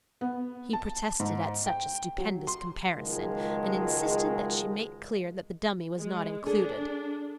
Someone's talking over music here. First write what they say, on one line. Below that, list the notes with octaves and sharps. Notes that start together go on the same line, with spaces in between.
He protested at such a stupendous comparison, and insisted that she make clear that the dummy was not included.
B3
A5
G#2
G5
F#3
C6
C#2 D#3 F3 F#3 G#3
G#3
D4 G#4 A4